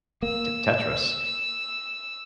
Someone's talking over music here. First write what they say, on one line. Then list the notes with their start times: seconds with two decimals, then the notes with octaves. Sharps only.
T Tetris,
0.23 A#3 E6